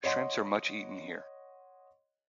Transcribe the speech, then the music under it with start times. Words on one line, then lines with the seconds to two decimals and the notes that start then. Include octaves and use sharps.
Shrimps are much eaten here.
0.04 C#5 D#5 F#5 C6